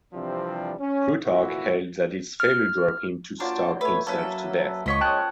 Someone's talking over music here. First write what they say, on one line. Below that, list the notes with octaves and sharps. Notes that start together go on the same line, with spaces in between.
Plutarch held that its failure drove him to starve himself to death.
C3 E3 F3 G3 C4 D4
C#4
G#1 D2 A#2 E3 E4 F#4
F6
F#3 A#3 D4 F4 C5 A5
A3 B4 C#5 E5
F#3 A#3 C#4 A4 B4 E5
C#2 F3 C#5 D#5 E5 C#6 B6
G#3 C#4 A#4 G5 A5 D#6 F#6